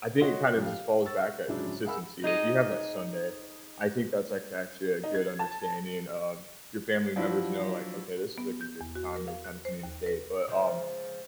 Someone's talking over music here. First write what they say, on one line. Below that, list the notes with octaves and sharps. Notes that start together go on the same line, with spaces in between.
I think it kind of just falls back at consistency, like, you have that Sunday. I think that's, like, actually a good understanding, um, your family members know, like, okay, this is, like, a good time they kinda communicate. But, um,
F#4 C#5 D#5 C6
F#2 F3 G3
F5
C#6 E6 A6
G#2 C#3 F#3 G#3 D4 E4
G#4 A#4 E5 F#5 B5 E6
D#4 G#4 D#5
D#4
G#6
A5
F3 F#3 D4 E4
B3
G6
E2
F#4
A#4
F5
F#6
C5
D#2
B4
C#3 F3 G#3